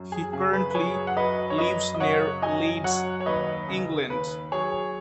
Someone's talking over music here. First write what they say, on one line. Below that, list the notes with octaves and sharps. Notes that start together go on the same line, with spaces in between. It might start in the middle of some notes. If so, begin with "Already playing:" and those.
He currently lives near Leeds, England.
Already playing: F#2
G#4
C#3 G#4
B4
B4
F#2 G#4 C#5
F#5
F#3 B4 D#5
C#5
F#2 B4 D#5
D#5
C#3 C#5 F#5
F#2 D#5 G#5
F#3 C#5 F#5
C#5
D#2 B4 D#5
C#3
D#2 B4
F#3 G#4 C#5